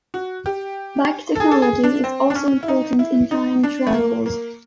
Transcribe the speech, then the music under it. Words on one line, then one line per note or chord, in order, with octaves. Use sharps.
Bike technology is also important in time trials.
F#4
G4
A4
G#4
A4
G#4
D4
C4
D4
C#4
E4
D#4
E4
D#4
D4
A3
A#3
A#3